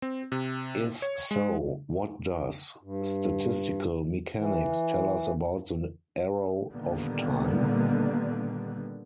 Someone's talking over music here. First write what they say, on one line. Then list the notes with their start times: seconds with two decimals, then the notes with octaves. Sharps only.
If so, what does statistical mechanics tell us about the arrow of time?
0.02 C4
0.32 C3
1.02 C#5
1.31 G#3
2.83 G2
4.38 E3
6.72 A#2 D3 D#3 G3 A#3 B3